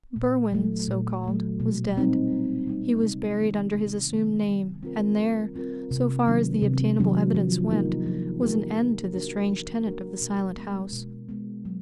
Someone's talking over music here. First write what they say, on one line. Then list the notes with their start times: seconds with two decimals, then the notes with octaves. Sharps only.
Berwin--so called--was dead; he was buried under his assumed name, and there, so far as the obtainable evidence went, was an end to the strange tenant of the Silent House.
0.16 A#2
0.52 F#3 A3
0.88 A#2
1.24 F#3 A3
1.60 B2
1.97 G3 C4 D#4
2.33 B2
2.68 G3 C4 D#4
3.03 C3
3.40 D#3 G3 B3
3.76 C3
4.11 D#3 G3 B3
4.47 G3
4.83 C4 F4 A#4
5.19 G3
5.56 C4 F4 A#4
5.91 C3
6.27 D#3 F#3 B3 D4
6.62 C3
6.99 D#3 F#3 B3 D4
7.35 F3
7.70 A#3 D#4 G4 A#4
8.06 F3
8.42 A#3 D#4 G4 A#4
8.77 F3
9.14 A#3 D4 F#4 A#4
9.49 F3
9.86 A#3 D4 F#4 A#4
10.21 B2
10.57 G#3 B3
10.93 B2
11.29 G#3 B3
11.65 F#3